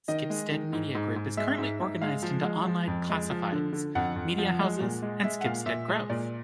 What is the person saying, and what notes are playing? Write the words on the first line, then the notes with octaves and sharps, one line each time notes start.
Schibsted Media Group is currently organized into Online Classifieds, media houses and Schibsted Growth.
D#3 D#5
G#3
D#3
G#2
G#2
G#2
G#3 E5
G#2
G#2
G#3 F5
F3
G#3
F3
F2
G#3
F3
D3
D3
F2 F#5
F2
F3
G#3
A#2
G#3
G#3 E5
F#5
A#2 F5
A#2 E5
G#3 D#5
A#2 D5